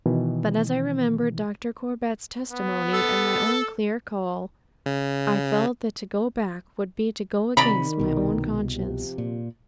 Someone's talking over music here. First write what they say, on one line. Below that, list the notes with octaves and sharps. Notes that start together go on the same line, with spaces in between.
But, as I remembered Dr. Corbett's testimony, and my own clear call, I felt that to go back would be to go against my own conscience.
B2 D#3 E3
B3
A4
C#3
C3 D#3 D5 A#5 B5
C2 B2
C3 F3 G4
A#2